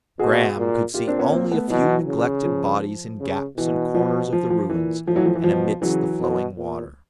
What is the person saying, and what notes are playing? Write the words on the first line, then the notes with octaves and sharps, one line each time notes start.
Graham could see only a few neglected bodies in gaps and corners of the ruins, and amidst the flowing water.
B2 F#4 G#4
A#2
A#2 F4 G4
C4 D4
B3 C#4
A#3 C4
A3 B3
B2 E3 F#3
C#3
F3
C#3
B2 E3
F3
F3
F3
A#2 E3
A2 F3
E3 F#3
F3
E3
B2 F3
C#3 E3 F#3
B2
A#2